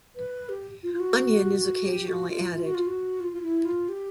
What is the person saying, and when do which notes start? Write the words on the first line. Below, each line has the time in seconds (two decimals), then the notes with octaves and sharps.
Onion is occasionally added.
0.16 B4
0.49 G4
0.83 F4
0.93 F4
1.00 F#4
1.84 G4
2.08 F#4
2.29 F4
2.52 F4
2.64 F#4
2.75 F4
2.87 F#4
3.20 F4
3.33 F4
3.42 E4
3.65 F4
3.89 G4